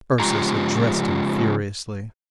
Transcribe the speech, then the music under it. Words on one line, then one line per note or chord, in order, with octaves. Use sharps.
Ursus addressed him furiously.
C#3 F3 G#3 F4 G4 A#5